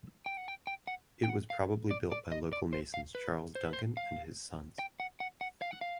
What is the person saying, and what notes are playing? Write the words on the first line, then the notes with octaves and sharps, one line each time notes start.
It was probably built by local masons Charles Duncan and his sons.
G5
F#5
G5
G5
F#5
G5
F#5
F5
D5
D5
D#5
D5
C5
F5
B4
C5
B4
C5
F5
G5
F#5
F#5
F#5
F5
F#5
F5